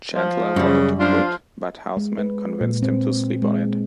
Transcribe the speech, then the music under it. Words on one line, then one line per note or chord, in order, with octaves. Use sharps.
Chandler wanted to quit, but Houseman convinced him to sleep on it.
F3
F#2 C#3 G3
F3 D4 F4
G#3
B4
A#2
C4
G#3